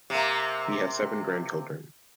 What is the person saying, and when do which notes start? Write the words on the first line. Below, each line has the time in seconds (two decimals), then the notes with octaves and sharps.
He has seven grandchildren.
0.10 C3 A#3